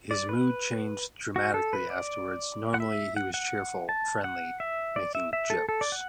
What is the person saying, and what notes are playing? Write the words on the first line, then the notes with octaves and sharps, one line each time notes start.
His mood changed dramatically afterwards - normally he was cheerful, friendly, making jokes.
D5
B4
F#4
A4
B4
D5
F#5
E5
F#5
F#5
A5
F#5
E5
D5
E5
E5
A4
A4
D5
F#5